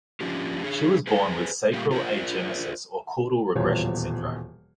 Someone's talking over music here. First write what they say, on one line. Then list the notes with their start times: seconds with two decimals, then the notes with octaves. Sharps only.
She was born with sacral agenesis or caudal regression syndrome.
0.21 F3 C#4 D4 F4 G4
0.62 D4 G#4 C#5
1.07 G#4 B4 C5 G#5
1.73 A#2 G3 A3 A#3 F4 G4
1.91 F4 A#4 C5 D5
3.55 D#1 E2 B2 F4 C5 C#5